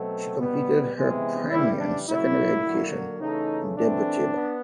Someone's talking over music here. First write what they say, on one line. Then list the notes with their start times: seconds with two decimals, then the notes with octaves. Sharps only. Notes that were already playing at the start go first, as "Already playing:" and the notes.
She completed her primary and secondary education in Debre Tabor.
Already playing: B2 F#3 A3 C4
0.38 B2 G3 B3
0.94 C3 E3 G#3 B3
1.51 C#3 E3 G3 E4
1.80 D4
2.08 C#3 F#3 A#3 E4
2.64 D3 F#3 A#3
3.20 C#3 E3 A3 D#4
3.76 E3 A3 C4 D4
4.33 B3